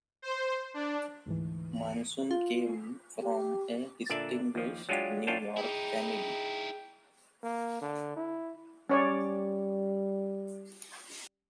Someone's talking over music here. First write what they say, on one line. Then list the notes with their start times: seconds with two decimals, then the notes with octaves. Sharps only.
Mason came from a distinguished New York family.
0.22 C5
0.74 D4
1.26 D2 G#2 E3
2.31 F4
3.22 G4
4.10 A#2 D3 D4 D5 E5 A5
4.55 D#2 F3
4.89 F#3 G#3 D4 F4 G4
5.27 F#2 D4 F4 C#5 G5 A5
5.57 D#4 E4 G#4 G5
7.43 A#3
7.81 D3
8.16 E4
8.89 G3 C#4 C#5 D5